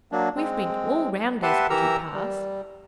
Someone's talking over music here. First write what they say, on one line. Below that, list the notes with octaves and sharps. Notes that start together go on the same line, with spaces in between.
We have been all round these pretty paths.
F#3 A#3 D4
G#3 C4
G4 B4 E5 F#5 A5 C6
E3 G4 A#4 A#5 E6
G3